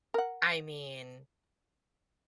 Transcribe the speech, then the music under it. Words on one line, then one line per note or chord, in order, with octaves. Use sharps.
I mean,
A#4 F#5